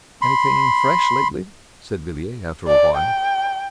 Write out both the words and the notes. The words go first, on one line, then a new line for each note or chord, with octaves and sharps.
"Anything fresh lately?" said Villiers after a while.
B5 C6
D5
G5